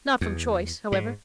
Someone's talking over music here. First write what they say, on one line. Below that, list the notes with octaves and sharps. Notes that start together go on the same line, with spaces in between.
Not from choice, however.
E2
G#2